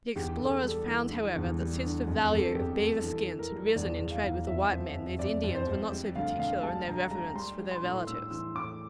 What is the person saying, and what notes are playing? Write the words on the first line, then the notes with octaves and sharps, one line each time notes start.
The explorers found, however, that since the value of beaver skins had risen in trade with the white men, these Indians were not so particular in their reverence for their relatives.
E2 G4
E2 A4
G3 A4
E3
E3
E2
G3
D3
F2
F2 A4
F2 G4
G3 A4
E3 A4
E3
A#4
G3
E2 D5
E2
F5
E2
F2 E5
F3
F2
F2 D5
F2
C5
F2
G3
D2 F5
D2 F5
G3 A5
D2 A#5
G3 A#5
G3 C6
G3
C6
A2
A2 E6
E3 E6
A2 D6